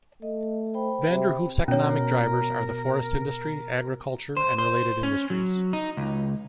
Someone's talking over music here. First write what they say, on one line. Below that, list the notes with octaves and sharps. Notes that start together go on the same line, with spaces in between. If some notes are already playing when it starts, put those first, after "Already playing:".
Vanderhoof's economic drivers are the forest industry, agriculture, and related industries.
A3 D#5
C5 G5 B5
C3
B2 C#4 A#4 C#5
C5
C5
C#4
F#3
D#4
C#2